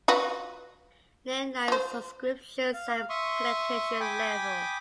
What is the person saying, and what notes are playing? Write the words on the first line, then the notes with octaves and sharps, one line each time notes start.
Landline Subscriptions and Penetration level.
F4 F#4 B4
F4 C5
F5
E5 C6 C#6 D#6
G5 G#5 B5 D6 D#6